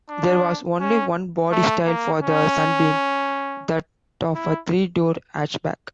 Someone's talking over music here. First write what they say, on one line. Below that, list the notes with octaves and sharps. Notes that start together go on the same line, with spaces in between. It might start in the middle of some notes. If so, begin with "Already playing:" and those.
There was only one body style for the Sunbeam, that of a three-door hatchback.
D4
C#4
A3
A#3
C#4
E4